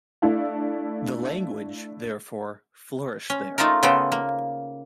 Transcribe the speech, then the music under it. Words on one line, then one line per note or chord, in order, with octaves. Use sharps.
The language therefore flourished there.
A3 D4 E4 A4 F5
C#4
A3 D#4 F4 A4 A#4
C#3 B3 A4 C5 G5
A#3